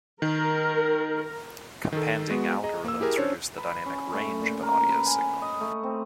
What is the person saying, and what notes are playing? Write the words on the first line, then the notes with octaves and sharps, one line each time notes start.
Companding algorithms reduce the dynamic range of an audio signal.
D#3 A#4
D#3 A4
G#3 B3 F#4
G#4 D#5 A#5
A#3 E6
E4 G4 G#4 A#4
C#4 D4 C5 C#5
B4
C#4
A3
A#2
A#4
B4
G#5
D#5
A3
C4